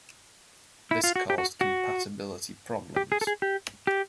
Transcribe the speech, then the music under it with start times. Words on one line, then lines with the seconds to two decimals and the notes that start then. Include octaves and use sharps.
This caused compatibility problems.
0.91 E4
1.04 F4
1.16 F#4
1.30 G4
1.38 F#4
1.61 F#4
2.96 G4
3.12 G#4
3.21 A4
3.27 G#4
3.42 G4
3.87 G4